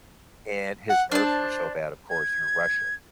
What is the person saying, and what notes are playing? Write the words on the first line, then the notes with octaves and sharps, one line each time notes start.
and, his nerves were so bad, of course, you're rushing,
F#5
D4 C5 A5
G#6